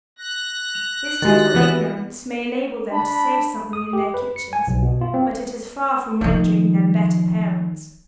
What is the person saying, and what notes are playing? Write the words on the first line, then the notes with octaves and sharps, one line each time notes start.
This total ignorance may enable them to save something in their kitchens, but it is far from rendering them better parents.
F#6 A#6
F7
D#3 G#3 F#4 G4 A6
E3 B3
D4 B5
D#6
G4
B4
C#7
G#5
B1
B2
F4
C4
D#3 F3